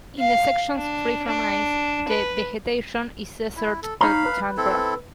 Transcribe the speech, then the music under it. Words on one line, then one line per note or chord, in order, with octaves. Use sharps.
In the sections free from ice, the vegetation is desert or tundra.
F5
D4
D4
B4
E4
A4
D#4 C#5 F5 A#5 B5
B4
C4 E4 A4